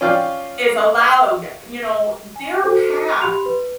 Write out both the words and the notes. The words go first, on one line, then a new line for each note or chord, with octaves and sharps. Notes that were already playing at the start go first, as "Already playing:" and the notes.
is allowed, you know? Their path
C#4 F4 D5 F5 G5
G#5
F#4 A4 C5
G4 B5 C6 F7
B4